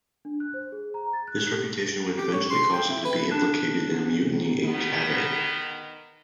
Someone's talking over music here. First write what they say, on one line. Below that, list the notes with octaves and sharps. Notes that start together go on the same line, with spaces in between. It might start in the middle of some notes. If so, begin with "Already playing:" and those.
This reputation would eventually cause him to be implicated in a mutiny in Cavite.
D4
F#6
C5
G#4
A#5
A6
F#6
G4
A6
G4
C#5
C6
G5
E4
B4
D4
D#3 B3